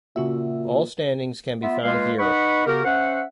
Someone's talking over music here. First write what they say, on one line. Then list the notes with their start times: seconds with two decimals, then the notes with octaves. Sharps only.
All standings can be found here.
0.16 A#2 C#3 F#4 E5
1.62 B3 F4 E5
1.83 G#3 A#3 F4 B4 F5
2.19 D#4 B4 D#5 F#5 B5 C#6
2.66 C#3 B3 F#4 G4 A#4
2.84 C#4 C5 E5 F#5